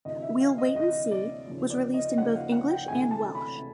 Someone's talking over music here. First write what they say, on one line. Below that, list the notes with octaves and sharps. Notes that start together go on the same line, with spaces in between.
We'll Wait and See was released in both English and Welsh.
D2 C3 E3 D#5
E5
F5
D#5
D2 C3 E3 D#5
D5
D#2 C#3 F3
D5
D#5
D#2 C#3 F3 F#5
F5
F#5
G5
D2 C3 E3 A3 G#5
A5
B5
C3